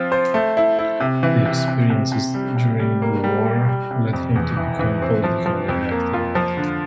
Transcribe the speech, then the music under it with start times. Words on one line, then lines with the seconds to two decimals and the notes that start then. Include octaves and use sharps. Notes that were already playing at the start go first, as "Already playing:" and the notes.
The experiences during the war led him to become politically active.
Already playing: F3 C4 F4
0.12 C5
0.34 A3
0.57 E4
0.79 E4
1.00 C3
1.23 E3
1.46 C3
1.68 C3
1.90 C3
2.12 C3
2.34 G3
2.56 C3
2.79 G3
3.02 A#3
3.24 G3
3.46 G3
3.69 G3
3.91 C3
4.13 F2
4.36 E2
4.57 E3
4.79 E3
5.02 C4
5.24 F3
5.46 F3
5.68 F2
5.91 A#3
6.14 F4
6.35 F3
6.57 D3